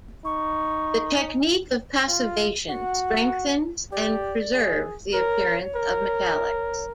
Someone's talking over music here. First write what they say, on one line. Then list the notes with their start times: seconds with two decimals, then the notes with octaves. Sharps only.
The technique of passivation strengthens and preserves the appearance of metallics.
0.25 D#4 C#6
2.08 F4
2.69 F#4 F#5
3.92 G4 D5
4.53 G#4
5.13 A#4 C#5
5.75 A#4